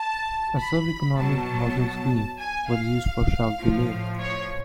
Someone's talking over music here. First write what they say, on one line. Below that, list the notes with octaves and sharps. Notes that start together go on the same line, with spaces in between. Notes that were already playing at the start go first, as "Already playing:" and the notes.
A sub-economic housing scheme was used for Sharpeville.
Already playing: A5
B5
B2 F#3 A5
G#5
F5
A2 F3
C#5